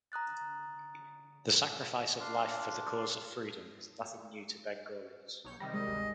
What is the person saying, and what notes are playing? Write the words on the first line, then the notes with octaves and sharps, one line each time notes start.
The sacrifice of life for the cause of freedom is nothing new to Bengalis.
A#5 D#6 F#6 A6
D4 F5 C6
B1 C#5 G6
C3 D#3 G3 A#6
G#3 D#5
G1 D2